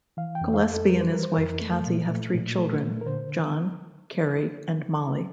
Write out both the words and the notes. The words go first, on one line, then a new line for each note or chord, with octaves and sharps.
Gillespie and his wife Cathy have three children, John, Carrie, and Mollie.
E3 F5
G5
F2
F5
F2
A4
G3 A#4
C5
E3 A#4
C5
F2 A#4
A3
A#2
A3
A#2
A3
A#2
A#4
D3 C5